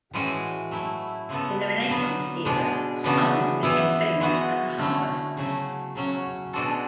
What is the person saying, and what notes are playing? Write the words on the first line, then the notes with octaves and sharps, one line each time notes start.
In the Renaissance era, Son became famous as a harbour.
A2 E3 G#3 C#4 F#4
F#3 A3 E4
C#3 G#3 B3 F#4 A4
D3 F#3 B3
B2 G#3 D4 G#4
C#3 E3 B3 D4 F#4
E3 B3 E4
G#3 B3 F#4
D3 A3 C#4 E4
C#3 F#3 A3
C#3 F#3 C#4
B2 G#3 D4 F#4 A4